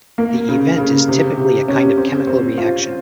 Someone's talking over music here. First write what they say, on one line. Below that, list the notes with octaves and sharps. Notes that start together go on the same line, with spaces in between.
The "event" is typically a kind of chemical reaction.
A#3
C#3
C#3
C3
C3
C#4
C4
C4
F4